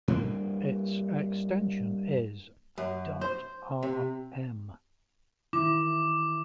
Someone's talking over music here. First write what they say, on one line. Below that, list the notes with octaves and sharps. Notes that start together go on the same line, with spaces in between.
Its extension is ".rm".
G2 A#3
F#2
C5
C3
D#3 E4 D6